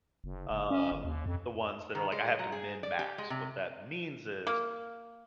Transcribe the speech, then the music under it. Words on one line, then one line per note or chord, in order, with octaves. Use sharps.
um, the ones that are like, "I have to mend max," what that means is,
F#1
F#1
C#4
G1
D#2
F2
D#3
G#3
F#3
G#4
D5
G4
G#3
C3
A#3